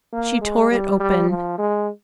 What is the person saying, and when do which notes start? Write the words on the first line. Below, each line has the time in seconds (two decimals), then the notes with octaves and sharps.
She tore it open.
0.13 A#3
0.41 G#3
0.71 G3
1.00 G3
1.29 F3
1.58 G#3